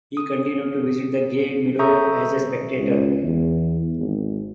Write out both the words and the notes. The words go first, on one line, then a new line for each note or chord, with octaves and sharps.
He continued to visit the Gay Meadow as a spectator.
D#6
A4 E5 A#5 C#6 D#6 G6
C#2
E2
G#1